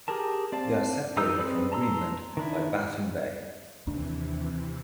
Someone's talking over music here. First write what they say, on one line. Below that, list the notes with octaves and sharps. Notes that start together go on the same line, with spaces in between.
They are separated from Greenland by Baffin Bay.
G4 G#4 A#4 A5
C4 D5 F5 A5
E3 D#4 A#5 E6 G6
C4 D#4 G#4 B4 D5
A5 A#5 C6 E6
D#3 D4 E4
D#2 C3 E3 D4